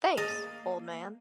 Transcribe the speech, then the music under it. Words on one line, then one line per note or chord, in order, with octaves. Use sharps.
Thanks, old man.
A#3 G#4 D#5 A5